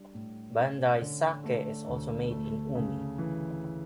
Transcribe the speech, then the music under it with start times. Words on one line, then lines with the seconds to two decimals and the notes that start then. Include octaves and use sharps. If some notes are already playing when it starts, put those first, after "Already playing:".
Ban-dai sake is also made in Umi.
Already playing: G3 D4
0.14 A2
0.58 C#4
1.01 D3
1.44 A3
1.88 D2
2.31 A3
2.75 C#3
3.18 E3